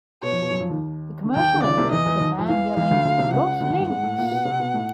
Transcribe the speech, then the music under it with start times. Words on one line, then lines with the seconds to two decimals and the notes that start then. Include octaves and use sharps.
The commercial ended with a man yelling Los Links!
0.23 B2 B3 C#5
0.32 F2 F3
0.42 B2 B3
0.51 F#2 F#3
0.60 F2 F3
0.70 D#2 D#3
1.25 D3
1.36 D#2 D#3 G5
1.53 D3
1.63 C#2 C#3 D5
1.77 C2 C3
1.92 E2 E3 D#5
2.06 E2 E3
2.20 D#2 D#3
2.39 F2 F3
2.48 E2 E3 F5
2.76 E2 E3 F5
2.91 D2 D3
3.05 D2 D3
3.18 C2 C3
3.32 C#2 C#3 F#5
3.61 D2 D3
3.70 D#2 D#3
3.80 G2 G3
3.89 G#2 G#3 F#5
4.03 A2 A3
4.18 A#2 A#3
4.31 B2 B3
4.45 C3 C4
4.60 B2 B3
4.74 A2 A3